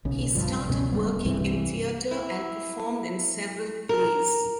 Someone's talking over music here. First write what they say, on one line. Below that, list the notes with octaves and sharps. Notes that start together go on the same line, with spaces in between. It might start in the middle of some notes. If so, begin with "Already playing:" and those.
He started working in theatre and performed in several plays.
B1 C#3
B1 G2 F3
C#2 B2 G3 C#4
D1 F#2 G3 B3
C2 G2 E3 C4
E4
A#4